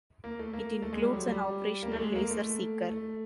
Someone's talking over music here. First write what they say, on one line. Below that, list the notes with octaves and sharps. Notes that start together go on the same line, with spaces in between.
It includes an operational laser seeker.
A#3
A3
A#3
A3
G#3
G3
F#3
G3
A#3
A3
G#3
A#3
A3
A3